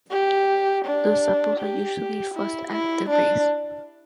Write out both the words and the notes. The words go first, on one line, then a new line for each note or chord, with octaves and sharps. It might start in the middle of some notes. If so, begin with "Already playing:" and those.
The sepals are usually fused at their base.
G4
D4
G4
E4
E4
D4